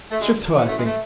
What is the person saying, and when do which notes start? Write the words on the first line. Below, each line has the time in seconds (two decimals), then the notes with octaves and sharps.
'Shift ho, I think.
0.11 A3
0.20 D2 D3 G#3
0.57 F#2 E3 B3
0.68 A3
0.77 G#3
0.86 A3